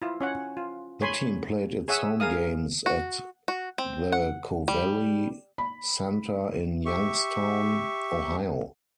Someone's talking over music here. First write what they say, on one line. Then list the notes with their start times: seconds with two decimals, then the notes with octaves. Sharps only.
The team played its home games at the Covelli Centre in Youngstown, Ohio.
0.02 E4 F4
0.21 C#4 C#5 F#5
0.57 F4
1.02 C#5 G#5 B5 C6
1.88 G#4 C#5 E5 F#5 D#6 E6
2.20 G#4 A#4 F5 D#6
2.86 F#4
3.48 F#4
3.78 C4
4.12 F#5
4.68 G3
5.58 B5
6.86 G4 E5 C#6